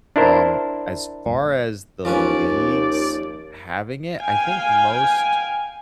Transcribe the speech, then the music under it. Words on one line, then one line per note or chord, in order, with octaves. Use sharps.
Um, as far as the leagues having it, I think most
D4 E4 A#4 C5
D#2 F3 C#4 B4 D5
F5 G5 G#5